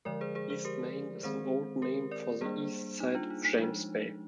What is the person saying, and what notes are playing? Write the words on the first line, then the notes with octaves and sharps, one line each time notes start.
'East Main' is an old name for the east side of James Bay.
D3 F3 G#3 A#4 D5
G#4 C5
G#4 C5
G#4 C5
G4 A#4
D#3 G#3 C4 G#4 C5
G4 A#4
A#4 D5
G3 A#3 D4 G#4 C5
D#4
D4 F4
D#4
D#4
F3 G#3 D4